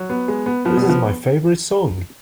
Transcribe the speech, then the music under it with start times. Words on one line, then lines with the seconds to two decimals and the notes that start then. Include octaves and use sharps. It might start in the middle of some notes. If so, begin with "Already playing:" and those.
This is my favorite song!
Already playing: F#3
0.10 B3
0.28 G#3
0.46 B3
0.65 F3 B3
0.77 B2
0.84 B3
0.89 F3